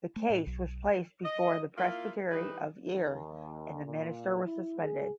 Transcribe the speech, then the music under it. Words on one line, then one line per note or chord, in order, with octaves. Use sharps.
The case was placed before the Presbytery of Ayr and the minister was suspended.
A3
A2
B1
D#5
A#3 E4 F4
E3 G3 D#4 G4 B4
D#2
A#2
E4
G#4